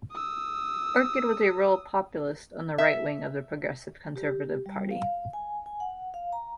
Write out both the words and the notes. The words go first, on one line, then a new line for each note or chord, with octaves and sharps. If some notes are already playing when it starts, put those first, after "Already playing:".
Orchard was a rural populist, on the right-wing of the Progressive Conservative Party.
D#6 E6
E5
G4
G3
F5
G#5
G#5
F#5
F5
A#5